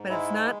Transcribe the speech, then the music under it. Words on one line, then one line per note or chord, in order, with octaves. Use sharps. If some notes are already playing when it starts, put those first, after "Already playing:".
but it's not
Already playing: G#2
G#3 E4
E4